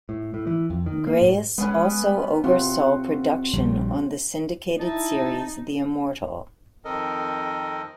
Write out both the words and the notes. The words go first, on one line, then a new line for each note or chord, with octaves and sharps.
Grais also oversaw production on the syndicated series, "The Immortal".
A2
A2
E3
F2
D#3
A#3
A2
G#3 B3 C#4 B4
C3 C4 F4 F#4
A#1 C#3 G3
D#4 E4 A5
F2 D#3 C4 A4 A#4 D#5